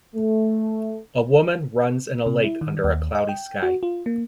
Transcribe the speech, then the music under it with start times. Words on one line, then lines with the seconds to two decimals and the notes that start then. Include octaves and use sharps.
A woman runs in a lake under a cloudy sky.
0.16 A3
2.26 C3
2.44 E4
2.61 D#3
2.84 D#2
3.15 D#5
3.29 G5
3.63 F#4
3.83 F4
4.06 A#3